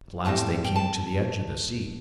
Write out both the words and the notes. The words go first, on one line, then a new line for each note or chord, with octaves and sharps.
At last they came to the edge of the sea.
A2 G3 C4 A5
G5
A5